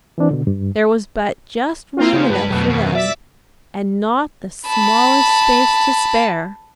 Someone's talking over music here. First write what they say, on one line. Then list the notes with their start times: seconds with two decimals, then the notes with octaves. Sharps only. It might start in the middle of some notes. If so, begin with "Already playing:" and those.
There was but just room enough for them, and not the smallest space to spare.
0.18 E3 C4 D4
0.31 B2 D3
0.47 G2
1.97 A#3 C4 F4
2.13 C#3 D#4 G4
2.29 G2 B4
2.50 F2 B2 F#3 A3
2.70 D#2
2.95 D5 E5
4.68 A5 B5